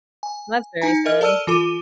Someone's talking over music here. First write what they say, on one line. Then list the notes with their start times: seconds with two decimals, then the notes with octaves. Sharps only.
That's very sad.
0.23 G#5
0.81 D#4 G#5 A#5
1.06 A#4 D#5 F6
1.21 A4 D5 A5 E6 F6 D#7
1.47 E3 F4 A4 D6 D#7